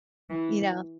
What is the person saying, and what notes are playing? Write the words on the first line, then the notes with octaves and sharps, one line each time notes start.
You know?
E3